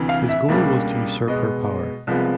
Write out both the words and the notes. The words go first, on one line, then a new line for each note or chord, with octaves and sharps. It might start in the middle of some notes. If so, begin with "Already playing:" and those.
His goal was to usurp her power.
Already playing: D2 C3 E3
F5
E5
C#2 B2 G3 A#3 D4
B2 G#3 B3 D#5
C2 C3 F3 G#3 B3